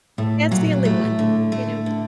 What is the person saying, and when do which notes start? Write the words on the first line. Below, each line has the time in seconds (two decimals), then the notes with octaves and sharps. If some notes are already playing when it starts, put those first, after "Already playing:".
That's the only one, you know?
0.18 A2 A3
0.51 A#2 F#3
0.85 A2 A3
1.19 D3
1.52 A3
1.86 D3